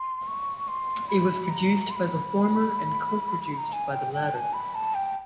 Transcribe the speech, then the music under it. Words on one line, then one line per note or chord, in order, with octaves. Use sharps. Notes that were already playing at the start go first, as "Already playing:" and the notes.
It was produced by the former and co-produced by the latter.
Already playing: C6
C#6
C6
B5
A#5
C6
B5
B5
A#5
G#5
G5
G5
A5
G#5
B5
A5
G5